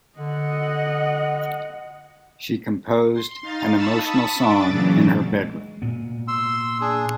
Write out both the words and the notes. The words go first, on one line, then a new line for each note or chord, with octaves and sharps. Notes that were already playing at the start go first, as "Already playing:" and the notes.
She composed an emotional song in her bedroom.
D3 D#5 F#5
C6
D#4 F5 A6
A5 B5 C#6 D#6 E6
D4 D6 A6
A#2 C#3 E3 F#3
G#3
A#2 B3
C6 E6
D4 G#4